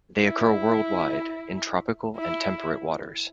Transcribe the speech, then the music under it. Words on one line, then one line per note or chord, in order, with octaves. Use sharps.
They occur worldwide in tropical and temperate waters.
E4
E4